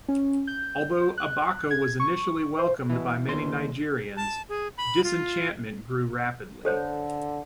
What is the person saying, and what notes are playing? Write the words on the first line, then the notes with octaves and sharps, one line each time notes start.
Although Abacha was initially welcomed by many Nigerians, disenchantment grew rapidly.
C#4
G6
F#6
G#6
C#6
C5
B2 E3
D#2 C6
A5
G#4
B5
F4
D3 A4 C5 C#5